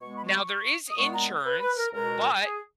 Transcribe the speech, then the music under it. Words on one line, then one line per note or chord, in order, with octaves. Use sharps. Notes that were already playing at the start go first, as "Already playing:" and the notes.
Now, there is insurance, but
B2 G#3 B3 C#6
B5
C#6
D#6
A#2 G#3 B3 C#6
A#5
B4
B4
A#4
C#2 B2 G#3 A#4
G#4